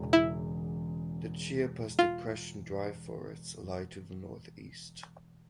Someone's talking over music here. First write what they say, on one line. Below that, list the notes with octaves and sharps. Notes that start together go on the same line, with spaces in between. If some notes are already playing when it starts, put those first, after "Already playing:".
The Chiapas Depression dry forests lie to the northeast.
Already playing: E1 E2 C#3
E4
F4